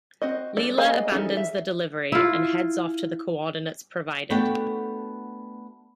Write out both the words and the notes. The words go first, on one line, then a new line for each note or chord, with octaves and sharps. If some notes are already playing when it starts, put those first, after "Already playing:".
Leela abandons the delivery, and heads off to the coordinates provided.
C4 F#4 D#5
G#3 A4 D5
A#3 G#4 D#5 F5 G#5
D#5
E3 C#4 D#4 G#4 A4
E5
E4 F4
A3 B3 D4 F#4 F#5 G5